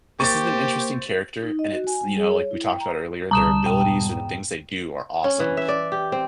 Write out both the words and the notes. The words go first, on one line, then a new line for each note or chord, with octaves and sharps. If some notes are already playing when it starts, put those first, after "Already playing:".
this is an interesting character, and it's you know, like we talked about earlier, their abilities or the things they do are awesome,
A#3 G4 C5 C#6 A6
D#4
D#5
F#4
G#5
G3
G#4
C#5
E4
G5
A#5
C2 D3 G3 A5 A#5 D#6 E7
E2 G#2 B2 G5
C#4
E3
E5
D5
G4
C4